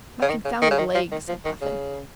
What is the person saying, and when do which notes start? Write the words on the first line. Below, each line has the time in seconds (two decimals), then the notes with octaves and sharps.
"My confounded leg!" said Puffin.
0.22 C#3
0.29 D#3
0.45 C#3
0.62 D#3
0.71 C#3
0.78 D#3
0.95 F3
1.11 D#3
1.28 F3
1.45 D#3
1.61 C#3